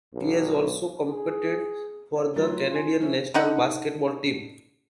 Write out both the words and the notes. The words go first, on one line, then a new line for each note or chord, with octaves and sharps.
He has also competed for the Canadian national basketball team.
B1
G#4
C#5 F5
D2 F#3 F4 A6
G#5 C6
F3 C#4 E4 C5
D3 D#4 F#5